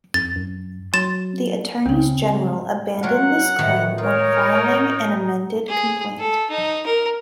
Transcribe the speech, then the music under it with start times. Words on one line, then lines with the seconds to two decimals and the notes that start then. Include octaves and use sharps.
The Attorneys General abandoned this claim when filing an amended complaint.
0.14 F2 A6
0.36 F#2
0.94 F#3 C6 A6 E7
1.86 C#2 C#3 C4
2.25 G#3
3.03 F#3 F4 A#4 F#5
3.59 A2 D#3 E3
3.98 D#4 F4 A#4 C#5
5.68 G#4
6.19 A4
6.50 D#4
6.86 A#4